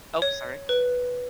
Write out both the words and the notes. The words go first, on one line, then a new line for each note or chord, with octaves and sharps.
Ope, sorry.
C#5
B4